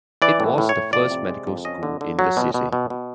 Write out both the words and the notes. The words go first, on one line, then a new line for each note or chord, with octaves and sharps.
It was the first medical school in the city.
E3 D5
A2
A2
C#5
A2
F2 D5
C3
G#3
F2
C#4 D#5
D3
D3
F#3
B2
B2
B2
B2